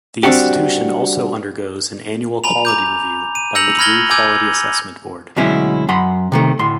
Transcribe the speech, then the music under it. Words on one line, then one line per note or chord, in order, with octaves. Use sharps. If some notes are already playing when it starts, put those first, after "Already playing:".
The institution also undergoes an annual quality review by the Degree Quality Assessment Board.
G3 C4 D4 F#4 G4
G#5 A#5 B5 F7
A#5 D6 G6
D#7
E6 G6 A#6 C#7 F7 F#7
B5 F6 G#6 A#6 F#7 G7
G#5 D6 E6 G6 G#6
D2 B2 F#3 G#3 C#4 E4
F#2 F#5 B5 C6
C3 D#3 A3
D2 A2 C6